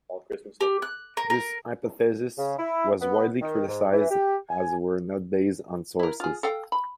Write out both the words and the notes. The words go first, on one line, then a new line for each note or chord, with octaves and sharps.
This hypothesis was widely criticized as were not based on sources.
G4
F#6
A#4
A#4
C#3
E4
B3
D#3
G#2
E3
G4
G#5
E4 A#4
F4 G#4
A4 F5 G5
B5